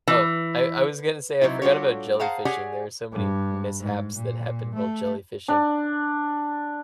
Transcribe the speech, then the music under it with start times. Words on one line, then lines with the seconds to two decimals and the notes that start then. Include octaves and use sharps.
Oh, I I was gonna say I forgot about jellyfishing; there are so many mishaps that happened while jellyfishing,
0.08 E3
1.41 C3 F#3 C4 D#4 E4
1.62 G3 D4 F4 F#4 A4 C#5
2.20 G#4 C5 F5 F#5 A5 A#5
2.45 G4 G#4 C#5 D5 F#5 G#5
3.12 G2
3.80 G#2
4.15 A#2
4.74 A3
5.48 D4